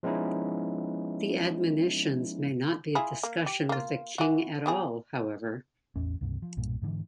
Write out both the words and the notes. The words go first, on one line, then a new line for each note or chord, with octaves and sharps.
The admonitions may not be a discussion with a king at all however.
F3 G#3 B3 C#4 D#4 E4
E4 F4 G#4
A#3
G4
A#3 F4
E3 F#4
B3 G4 G#4
A1 E2 C#4
C#2 G2 C3
F3
B1 G2 A#2
G#2 D3 E3